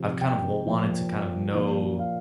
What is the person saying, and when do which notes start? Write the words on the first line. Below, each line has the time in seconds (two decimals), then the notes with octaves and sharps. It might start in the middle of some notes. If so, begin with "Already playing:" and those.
I've kinda wanted to kind of know,
Already playing: C3 F3
0.21 G5
0.66 A#2 F3
1.55 A#2 F3
1.99 F5